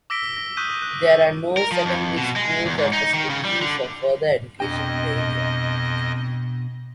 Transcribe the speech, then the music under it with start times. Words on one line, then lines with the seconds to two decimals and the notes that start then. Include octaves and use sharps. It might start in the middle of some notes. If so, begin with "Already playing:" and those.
There are no secondary schools or facilities for further education in the area.
0.10 D6 E6 A#6 B6 D7 G7
0.37 A#6
0.57 C#6 D#6 F#6 G6 B6 D#7
0.82 F#6
1.57 A#4
1.72 F3
1.85 F2
2.17 B2
2.36 G#3
2.66 E2
2.78 G#2
2.93 D#4
3.14 D#3
3.30 C#3
3.44 G3
3.62 D3
4.60 F2 B2 D4 D#5 G5